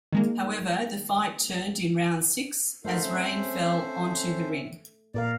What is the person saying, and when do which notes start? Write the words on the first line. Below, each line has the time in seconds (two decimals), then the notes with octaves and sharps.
However, the fight turned in round six, as rain fell onto the ring.
0.12 D#3 G#3 A#3
2.85 A3 D#4 F#4 A4 A#4 C5
3.03 C4 C#4 E5
5.14 A#2 A#4 D5 F5